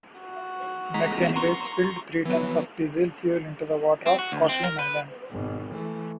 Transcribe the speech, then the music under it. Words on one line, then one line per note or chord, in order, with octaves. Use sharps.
McKinley, spilled three tons of diesel fuel into the water off Kotlin Island.
F#4
G#3 A#5 B6
A#5 C6 C#6
E3 F#3 B3
C4
F#4
D2
C4
A#4
B4
G#1 B2
E3 A3